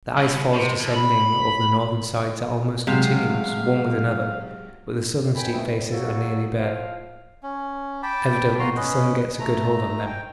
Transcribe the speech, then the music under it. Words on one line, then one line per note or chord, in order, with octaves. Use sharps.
The ice-falls descending over the northern sides are almost continuous one with another, but the southern steep faces are nearly bare; evidently the sun gets a good hold on them.
C2
C3
D#2
B5
C3 F#3 G#3 F5
F#2 B2 D#3 G5 G#5 B5
B2 D#3 F3 A3 B3 C4
D2 A2
C3 F#3 A#3 F#4 G#4 A4
F3 F5
C#4
G5 A5 B5 D6
F4 F#4 A#5 C6
C#4 B4 D#5
A3 A#5
G5